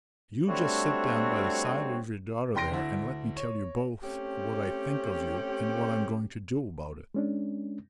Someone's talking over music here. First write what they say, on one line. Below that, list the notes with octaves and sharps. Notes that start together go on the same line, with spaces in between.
"You just sit down by the side of your daughter there and let me tell you both what I think of you and what I'm going to do about it."
G3 A3 C4 D4 F#4 C#5
F1 G5 C6 A#6 D7
D2 E4
C#5
A3 C4 C#4 G4
G#3 C#4 D4